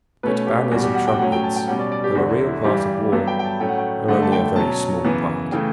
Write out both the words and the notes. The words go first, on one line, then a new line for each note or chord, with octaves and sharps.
But banners and trumpets, though a real part of war, are only a very small part.
B2 A3 C#4 B4
G4
E2 B2 G3 F#4
G4
F#5
G5
A2 F#3 C#4 F#5
G5
A5
G5
B2 G3 C#4 F#5
D5
D5
G4
E2 D3 F#3 F#4
E4
E4
G2 E3 G3 G4
G2 F#3 B3 A4
G5
G5
A5
A2 F#3 A3 C#4 G5
F#5
G5
G2 D3 A3 F#5
A5
G5
B2 F#3 C#4 A5
F#2 C#3 E3 B3
C#3 E3 A3 G5